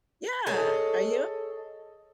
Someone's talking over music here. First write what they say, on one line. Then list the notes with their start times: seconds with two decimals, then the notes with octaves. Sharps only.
Yeah, are you?
0.46 G#4 A4 C#5 D#5